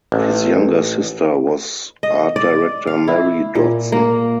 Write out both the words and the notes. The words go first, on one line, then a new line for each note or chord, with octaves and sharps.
His younger sister was art director Mary Dodson.
A1
D#5
D5
F5
E4
A#2
A#3